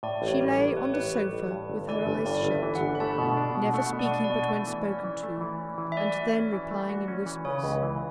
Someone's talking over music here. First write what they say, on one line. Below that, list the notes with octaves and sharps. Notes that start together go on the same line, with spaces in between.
She lay on the sofa, with her eyes shut, never speaking but when spoken to, and then replying in whispers.
A2 D5
A1
C#5
G3
C#5
A1
A2 B4
C#5
A1 B4
G3
A1
G2
G1
E3 D5
G1
G2 D5
G1
E5
E3
F#5
G1
B5
A3 A5
B2
D4
B2
A3 F#5
B2
D5
D4
D5
B2
A3
E3
C#4
E3
A3
E3
C#4
E3
E5
A3 D5
F#4
C#4
E3
A3
F#4
C#4
E3
C#3 C#5
C#2
E3